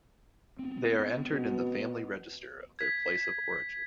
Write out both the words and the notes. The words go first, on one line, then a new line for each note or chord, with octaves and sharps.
They are entered in the family register of their place of origin.
B3 C4
B2
G#6 B6